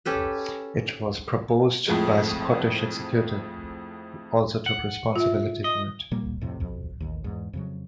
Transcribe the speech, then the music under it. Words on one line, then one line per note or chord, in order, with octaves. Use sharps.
It was proposed by the Scottish Executive, who also took responsibility for it.
C#4 G4 A4 B4
F2 A2 F3 G#3
F#5
F4 E5
D#5
A#2 G3 A#3
F2 A2 C3
B1 F2
A1 D#2
E2 G#2
F2 C#3 F#3